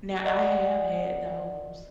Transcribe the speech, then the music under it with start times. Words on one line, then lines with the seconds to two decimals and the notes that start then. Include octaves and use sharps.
Now I have had those.
0.25 D5 D#5 F#5